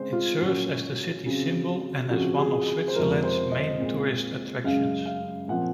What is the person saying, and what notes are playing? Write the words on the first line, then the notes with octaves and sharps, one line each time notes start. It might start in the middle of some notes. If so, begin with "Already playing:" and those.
It serves as the city's symbol and as one of Switzerland's main tourist attractions.
Already playing: C#3 G#3 C4 C5
F4
A#2 F#3 C#4 F#4
C#3 F#3 C4
C#3 F3 C4 F#4
G#4
C5
F2 C3 F3 G#3 A#4
C5
D#5
A#2 G#3 C4
F#2 C#3 G#3 F5
F5
A#2 F3 C4 F#5